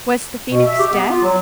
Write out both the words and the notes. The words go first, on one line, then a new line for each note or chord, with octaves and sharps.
Was the Phoenix dead?
B2
E5
G4
B3
F4
F#3